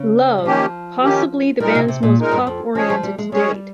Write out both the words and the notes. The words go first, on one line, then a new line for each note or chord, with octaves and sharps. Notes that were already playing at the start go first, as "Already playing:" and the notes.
Love, possibly the band's most pop-orientated to date.
Already playing: C#3
G3
D#3 F3 A#3 C#4 G4
D#3 A#3 C#4 G4
A#2 G3 G#3 D#4 A#4
C3
C3
A#2
A#2 G#3 D#4 A#4
G2
F2
F3 G#3 C#4 G#4 C#5
F3
G3
G#3
G3 G#3 C#4 G#4 C#5